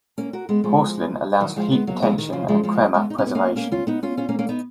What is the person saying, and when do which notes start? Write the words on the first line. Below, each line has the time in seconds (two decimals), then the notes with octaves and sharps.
Porcelain allows for heat retention and crema preservation.
0.18 A#3 C#4
0.33 F#4 A#4
0.49 G#3 B3
0.64 F3 G#3
1.40 D#3 F#3
1.56 F3 G#3
1.71 G#3 B3
1.87 F#3 A#3
2.02 F3 G#3
2.18 D#3
2.33 C#3 F3
2.48 F3 G#3
2.63 F3 G#3
2.94 G#3 B3
3.10 D#4
3.18 C#4
3.27 B3
3.35 A#3 C#4
3.56 A#3 C#4
3.72 C#4 F4
3.87 B3 D#4
4.03 C#4 F4
4.17 C#4 F4
4.29 A#3 C#4
4.39 A#3 C#4
4.49 B3 D#4